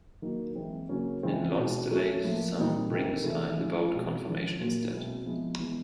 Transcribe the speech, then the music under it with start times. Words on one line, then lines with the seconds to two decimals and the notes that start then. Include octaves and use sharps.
In lonsdaleite, some rings are in the boat conformation instead.
0.22 D#3 F#3 A#3
0.55 E3 G#3 C4
0.89 C#3 F#3 A#3 C#4
1.23 C#3 E3 G#3 C4 F4
1.56 B2 G#3 C4
1.90 F#3 A3 C#4
2.24 A2 F3 A#3
2.57 A#2 G3 C4 D#4
2.91 C3 D#3 G#3 C4
3.24 C3 E3 A3
3.58 A2 F3 G#3 C#4
3.91 B2 G#3 C4
4.25 F3 G#3 C#4 F4
4.59 A#2 F#3 A#3
4.92 B2 G#3 C4 E4
5.25 F3 G#3 B3 E4
5.59 E3 G#3 B3 E4